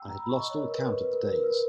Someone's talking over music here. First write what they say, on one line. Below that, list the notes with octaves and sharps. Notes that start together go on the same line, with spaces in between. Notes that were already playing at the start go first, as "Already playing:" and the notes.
I had lost all count of the days.
Already playing: G5 E6
A#5
B5
C#6
D#5
C#5
A#4
B4
B4
B4
A#4
B4
A#4
B4